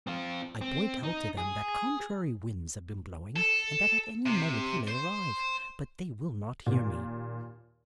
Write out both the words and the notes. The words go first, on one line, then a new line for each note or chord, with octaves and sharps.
I point out to them that contrary winds have been blowing, and that at any moment he may arrive; but they will not hear me.
C4 F4
C4
D#4
G#4
A4
C3
C5
D#2 A#2